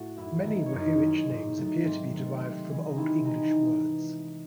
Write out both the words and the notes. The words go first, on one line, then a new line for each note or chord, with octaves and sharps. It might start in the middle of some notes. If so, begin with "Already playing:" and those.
Many Rohirric names appear to be derived from Old English words.
Already playing: A2 A3 F#4 F#5
F#2 E4 E5
D#3 G#3
C#5
F#2 D#4 D#5
D#3 G#3
G#2
D#3 F#3 A3
G#2 C4 C5
D#3 F#3 A3
C3
E3 G#3
D#4
C3 E4
E3 G#3 D#4